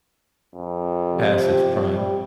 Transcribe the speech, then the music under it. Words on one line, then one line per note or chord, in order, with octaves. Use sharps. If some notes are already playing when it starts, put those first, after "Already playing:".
past its prime.
F2
C3 F3
G4
G3